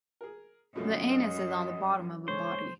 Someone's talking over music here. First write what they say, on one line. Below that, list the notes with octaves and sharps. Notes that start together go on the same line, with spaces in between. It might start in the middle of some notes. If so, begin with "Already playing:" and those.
The anus is on the bottom of a body.
G#4 A#4
F#2 B2 F3 A3 D#5
C#2 G#2 D3 C5 C#5